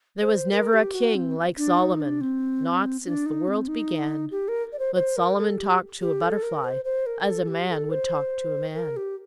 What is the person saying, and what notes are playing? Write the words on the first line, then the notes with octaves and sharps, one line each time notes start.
There was never a King like Solomon, Not since the world began; But Solomon talked to a butterfly As a man would talk to a man.
C5
A#4
G4
F#4
C4
D4
D#4
D4
C4
D4
D#4
C4
D#4
G4
A#4
D5
C5
C5
A#4
A4
G4
G4
A4
A#4
C5
C5
A#4
A#4
A4
G4
A4
C5
A#4
G4